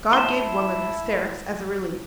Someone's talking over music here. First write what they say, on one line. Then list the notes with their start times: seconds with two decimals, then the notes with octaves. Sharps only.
God gave woman hysterics as a relief.
0.13 E4 A5 C6